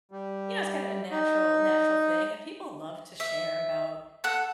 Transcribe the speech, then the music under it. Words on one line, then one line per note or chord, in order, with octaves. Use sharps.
you know, it's kind of a natural natural thing, and people love to share about
G3
D#4
E5
A4 F#5 F#6